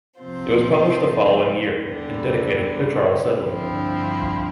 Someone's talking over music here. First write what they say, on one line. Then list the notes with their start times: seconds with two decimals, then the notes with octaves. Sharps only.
It was published the following year and dedicated to Charles Sedley.
0.19 C3 F3 C4 F4 C5
1.81 E2 D3 G3
3.43 G2 D3 F3 C4 E4